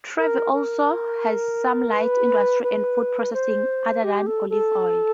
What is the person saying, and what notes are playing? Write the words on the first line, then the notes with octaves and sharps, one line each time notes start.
Trevi also has some light industry and food processing other than olive oil.
A#4
A#4
B4
B4
C5
G4
A4
A4